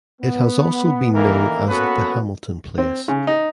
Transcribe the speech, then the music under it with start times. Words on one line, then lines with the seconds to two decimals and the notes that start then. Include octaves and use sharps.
It has also been known as The Hamilton Place.
0.21 B3
1.14 A1 D#3 E3 A#3 A4 A#4
1.68 A#3 B3 C#4 F#4 A4 B4
2.78 C4
3.08 C#3
3.27 D#4